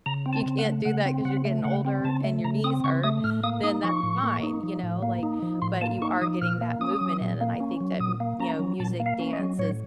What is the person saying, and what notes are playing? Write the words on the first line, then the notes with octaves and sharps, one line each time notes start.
you can't do that 'cause you're getting older and your knees hurt, then that's fine, you know? Like, but you are getting that movement in, and I think that, y you know, music, dance is,
C#3 A#5
C4
A5
C#3
F#5
A3
C#3 F#5
C4
C#3 F#5
A3
C#3 F#5
C4
C#3 A5
A3
C#3 A#5
C4 D#6
C#3 C#6
A3 D#6
A2 F6
A#3 D#6
D#4 D#6
F3 C#6
A2
A#3
D#4
F3
A2
A#3
D#4
F3
A2 C6
A#3 A5
D#4 C#6
F3 D#6
A#2 F6
A#3
C#4 D#6
F#3
A#2
A#3
C#4
F#3
A#2 D#6
A#3
C#4 A#5
F#3
A#2 A5
A#3
F5
C#4
D#5
F#3
A2 C#5